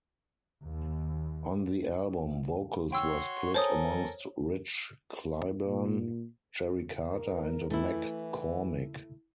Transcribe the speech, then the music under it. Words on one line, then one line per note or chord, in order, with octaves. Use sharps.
On the album, vocals were split amongst Rich Cliburn, Jerry Carter and McCormick.
D#2
F#4 C#5 G5 C6 E6
A4 A#4 C5 C#5 G#5 D#6
A#2
A#4
E3 A3 E4